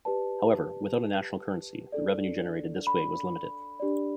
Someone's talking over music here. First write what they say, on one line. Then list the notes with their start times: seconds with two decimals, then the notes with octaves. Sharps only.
However, without a national currency, the revenue generated this way was limited.
0.05 G4 B4 D5 A5
1.92 D4 A4 D5
2.87 B5
3.80 D4 G4 D5